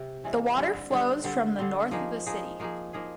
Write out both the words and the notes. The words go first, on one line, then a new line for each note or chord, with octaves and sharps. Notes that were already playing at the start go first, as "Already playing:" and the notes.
The water flows from the north of the city.
Already playing: C3
C3 E3 G#3 C#4
D3 G3 C4
D3 G3 C4
D3 G3 C4
D3 G3 C4
F3 A#3 D#4 G#4
F3 A#3 D#4 G#4
F3 A#3 D#4 G#4
F3 A#3 D#4 G#4